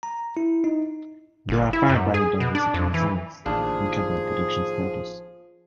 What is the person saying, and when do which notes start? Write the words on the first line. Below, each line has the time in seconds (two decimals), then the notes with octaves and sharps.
There are five biodiversity reserves in Quebec with permanent protection status.
0.03 A#5
0.37 E4
0.64 D#4
1.49 G1
1.73 E4
1.89 F#2
2.14 G#4
2.40 B2
2.55 D4
2.74 F2
2.94 E3
3.46 A1 D#2 F3 D4 G#4 F5